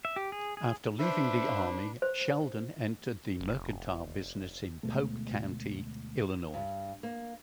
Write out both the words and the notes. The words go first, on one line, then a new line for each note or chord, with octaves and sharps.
After leaving the Army, Sheldon entered the mercantile business in Pope County, Illinois.
E5
G4
G#4
G#4
D4 B4 C5 E5
C5
F1
D2 B2 G#3 A3
G2
A#3